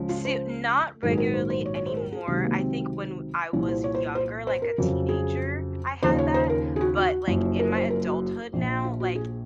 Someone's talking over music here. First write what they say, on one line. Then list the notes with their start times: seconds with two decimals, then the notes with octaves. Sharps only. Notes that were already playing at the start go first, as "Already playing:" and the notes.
Soo Not regularly anymore. I think when w I was younger, like a teenager, I had that, but, like, in my adulthood now, like,
Already playing: C#2 C#3 F3
0.09 F4
0.25 C5
1.02 A#1 G#2 D#3 F#3 A#4
1.11 G#4
1.18 A#4
1.34 C5
1.50 C5
1.66 C#5
1.76 C#5
1.86 C5
1.97 A#4
2.12 G#4
2.28 C#2 C3 D#3 F#3 F#4
2.44 A#3
2.60 C4
3.53 C2 A#2 F3 C#4
3.69 C5
3.84 C#5
3.95 C5
4.15 C5
4.47 C5
4.62 A#4
4.78 F2 C#3 F#3
5.09 G#4
6.03 D#2 C#3 F3 C5
6.18 C#5
6.34 C5
6.50 A#4
6.76 G#4
6.81 F#4
6.97 F#4
7.28 F#1 F#2 F3
7.59 A#4
7.75 C5
7.90 A#4
8.06 F#4
8.53 A#1 A#2 F3
8.85 F4
9.00 F#4
9.15 G#4